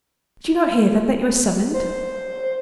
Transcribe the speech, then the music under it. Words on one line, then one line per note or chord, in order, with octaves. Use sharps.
"Did you not hear, then, that you were summoned?"
C5